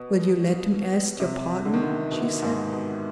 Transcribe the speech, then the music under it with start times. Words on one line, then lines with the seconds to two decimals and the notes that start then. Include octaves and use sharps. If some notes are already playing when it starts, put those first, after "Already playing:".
"Will you let him ask your pardon?" she said.
Already playing: B2
1.20 C3
1.65 D3
1.74 D#3
1.82 D3
2.12 B2
2.42 G#2
2.73 B2